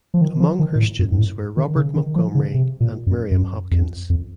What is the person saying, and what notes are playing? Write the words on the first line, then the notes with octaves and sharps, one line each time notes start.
Among her students were Robert Montgomery and Miriam Hopkins.
F3
D#3
F3
D#3
A#2
A2
F#2
F#2
A2
D#3
C#3
D#3
F3
C#3
C3
A#2
F#2
F#2
F2
F2